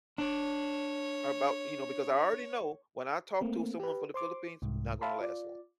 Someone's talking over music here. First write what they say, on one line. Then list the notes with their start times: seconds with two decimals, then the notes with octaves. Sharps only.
or about, you know, because I already know when I talk to someone from The Philippines, not gonna last long.
0.18 D4 C#5
3.41 A3 A#3 C4
3.80 G4 B4
4.14 C5 C6 D6
4.62 C2 G#2
5.01 E5 F5 A5 B5 C6
5.21 F4 D5